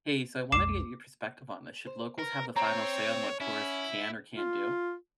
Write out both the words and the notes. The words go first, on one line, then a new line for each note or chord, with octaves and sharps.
Hey, so I wanted to get your perspective on this. Should locals have the final say on what tourists can or can't do?
B1 F2 G#3 D6 C7 E7
C5
A#4 B4
C4 C#5 A#5 B5
C#4 E4 F#5
F4